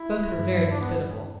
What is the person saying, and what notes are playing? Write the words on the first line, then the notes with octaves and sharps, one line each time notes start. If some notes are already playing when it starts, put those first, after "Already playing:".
Both were very hospitable.
Already playing: E4
E2 G2
D4
B3